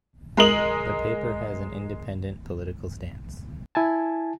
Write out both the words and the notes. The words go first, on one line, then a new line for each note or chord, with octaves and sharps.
The paper has an independent political stance.
G#3 A#4 D#5 F#7
E4 G#5 A5